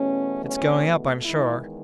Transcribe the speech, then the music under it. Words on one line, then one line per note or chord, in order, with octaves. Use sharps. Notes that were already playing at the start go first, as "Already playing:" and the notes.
"It's going up; I'm sure."
Already playing: E2 B2 A3 C#4
C#4
E2 D#3 G#3 E4